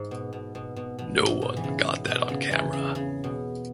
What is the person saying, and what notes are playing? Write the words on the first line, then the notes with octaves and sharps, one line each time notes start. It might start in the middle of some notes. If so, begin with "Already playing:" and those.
No one got that on camera.
Already playing: G#2 E3
B2
B2
B2
B2
B2
G#2
B2
E3
C#3
B2
B2
C#3
E2 E3
C#3
C#3
B2